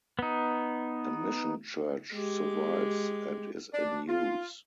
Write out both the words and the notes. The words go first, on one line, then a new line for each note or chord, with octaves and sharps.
A mission church survives and is in use.
B3 D#4
G#3 G4
D4
F4